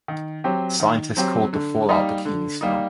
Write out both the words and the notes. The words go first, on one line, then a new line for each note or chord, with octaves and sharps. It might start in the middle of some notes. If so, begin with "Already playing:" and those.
The scientists called the fallout Bikini snow.
D#3
F#3 C4 G4
D#3
F#3 C4 G4
D3
G3 A#3 D#4
D3
G3 A#3 D#4